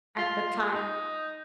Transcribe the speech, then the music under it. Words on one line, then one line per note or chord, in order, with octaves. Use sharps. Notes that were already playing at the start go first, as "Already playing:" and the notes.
at the time
F4
D#4